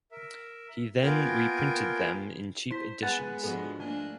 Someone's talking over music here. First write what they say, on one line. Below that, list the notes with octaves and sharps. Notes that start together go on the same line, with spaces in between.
He then reprinted them in cheap editions.
A#4 E5
A#3 B3 F4 A#4 G5 G#5
E4 C5 B6
G#3 B3 B4 F#5 G#5 A6
G#2 F3 B3 D4 F#4 A4
A3 A#3 D4 G#5